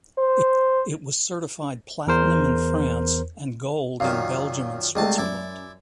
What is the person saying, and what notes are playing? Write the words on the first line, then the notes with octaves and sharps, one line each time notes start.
It was certified Platinum in France and Gold in Belgium and Switzerland.
C5
E2 A#4 C5
F#2 A#2 D#3 F5
C2 C3 G#3 A3 A5
F#2 E4 D5